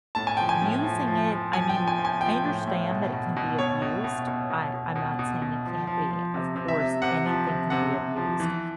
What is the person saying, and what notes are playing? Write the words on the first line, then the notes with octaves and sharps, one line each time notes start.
using it I mean, I understand that it can be abused. I I'm not saying it can't be. Of course, anything can be abused.
A2 A5
G#5
F3 G5
G#5
A2
F3
F3
F3
F3 G#5
G5
F3
G#5
F3
G#5
F3 G5
A2
A2
B2
B2
B2
B2 C#5
B2
B2
B2
B2
B2
B2
B2
B2
F3
F3
F3
C3
C3
E5
C3
C3 F#5
F3
C3
C3 F#5
C3
F3
E3